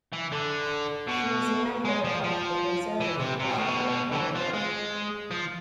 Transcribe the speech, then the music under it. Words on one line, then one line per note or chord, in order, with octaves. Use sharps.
She is a member of the Conservative Party of Canada.
E3
D3
B2
G#3
F3
F3
E3
C3
C3
B2
A2
B2
D3
E3
F3
G#3
F3